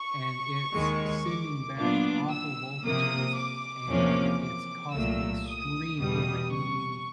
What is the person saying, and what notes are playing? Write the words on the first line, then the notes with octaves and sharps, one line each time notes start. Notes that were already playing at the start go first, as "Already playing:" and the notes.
and it's sending back awful voltages, and it's causing extreme overheating,
Already playing: C#6
D#2 D#3 G#3
D6
A#2 F#3 B3 D4 F4 D6
E6
C3 F3 A#3 D#6
D6
E2 C3 F3 A#3 C#4
D6
C2 A#2 F#3 A3 E6
D#6
E2 B2 G3 D#6
C#6